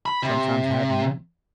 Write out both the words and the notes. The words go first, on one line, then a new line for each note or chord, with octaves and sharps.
sometimes having that
B5
C3